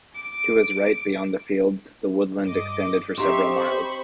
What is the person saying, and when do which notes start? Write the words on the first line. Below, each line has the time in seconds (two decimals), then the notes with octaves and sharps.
To his right beyond the fields the woodland extended for several miles.
0.14 D6 D7
2.44 G2 D#5 D6
3.18 C4 D#4 G4 E5 F5 C#6
3.55 C5 B5 C#6